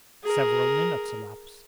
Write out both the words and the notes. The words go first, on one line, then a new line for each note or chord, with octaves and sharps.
Several minutes elapsed.
G#4 A#4